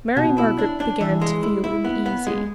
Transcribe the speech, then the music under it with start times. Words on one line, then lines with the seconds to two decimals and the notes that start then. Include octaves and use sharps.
Mary Margaret began to feel uneasy.
0.17 B2
0.38 E4
0.58 D4
0.80 D4
1.01 E3
1.21 G#3
1.43 E4
1.64 E4
1.84 B3
2.06 B3
2.27 G#3